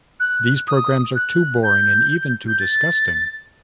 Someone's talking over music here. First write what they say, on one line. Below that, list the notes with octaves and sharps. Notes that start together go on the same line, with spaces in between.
These programs are too boring and even too disgusting!
F#6
D#6
F#6
G6
G6
A6